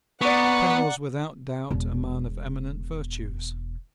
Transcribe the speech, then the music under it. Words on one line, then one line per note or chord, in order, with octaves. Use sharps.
Penn was without doubt a man of eminent virtues.
B3 D5 F#5 A#5 C#6
E1 B2